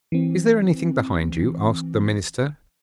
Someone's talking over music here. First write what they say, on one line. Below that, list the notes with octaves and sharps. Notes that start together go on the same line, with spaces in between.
'Is there anything behind you?' asked the minister.
E3 C4